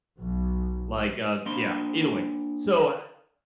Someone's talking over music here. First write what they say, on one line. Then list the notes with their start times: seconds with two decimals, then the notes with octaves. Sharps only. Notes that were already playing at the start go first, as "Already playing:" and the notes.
like, uh, yeah, either way, so, uh
0.19 B1
1.46 A#3 D4 C6